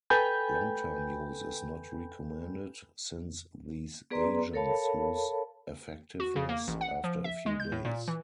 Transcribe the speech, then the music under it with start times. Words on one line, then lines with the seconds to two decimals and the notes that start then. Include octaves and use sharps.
Long-term use is not recommended, since these agents lose effectiveness after a few days.
0.10 A4 B4 G5 G#5 B5 G6
4.11 B3 G#4 B4 D5 A#5 C6
4.53 A4 A#4 C#5 F5 A5 B5
6.20 F#4
6.36 C#3
6.49 A#3
6.67 A1
6.81 F#5
7.04 F3
7.24 E5
7.46 G#3
7.60 G6
7.72 A2
7.85 A#2
8.08 E3